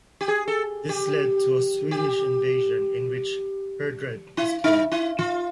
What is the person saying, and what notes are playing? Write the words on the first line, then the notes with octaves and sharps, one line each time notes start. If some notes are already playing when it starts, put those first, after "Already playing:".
This led to a Swedish invasion in which Heardred was killed.
G4
G#4
A4
G4
G4
E4
D#4
E4
F4